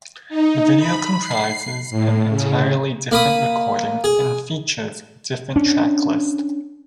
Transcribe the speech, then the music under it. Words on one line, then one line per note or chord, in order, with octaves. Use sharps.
The video comprises an entirely different recording, and features a different track list.
D#4
B5
C7
A2
C#3
A#3 B5 D#6
G#4
C#4 D4